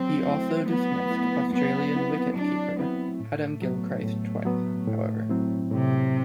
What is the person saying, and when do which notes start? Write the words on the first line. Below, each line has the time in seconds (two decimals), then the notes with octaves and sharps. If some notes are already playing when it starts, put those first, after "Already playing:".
He also dismissed Australian wicket-keeper Adam Gilchrist twice, however.
Already playing: F#3 C4
0.27 A3 E4
0.68 F#3 B3
1.11 A3 E4
1.52 F#3 B3
1.94 C4 E4
2.36 F#3 D4
2.78 B3 C4 E4
3.20 A2 A3
3.62 F#3 B3
4.04 A2
4.45 F#3 B3
4.88 A2
5.29 F#3 C4 E4
5.71 A2 C3